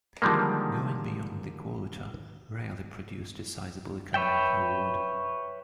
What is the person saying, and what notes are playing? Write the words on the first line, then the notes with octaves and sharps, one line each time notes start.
Going beyond the quota rarely produced a sizeable economic reward.
D3 D#3 F3 G3 G#3 A#3
B4 C#5 E5 G5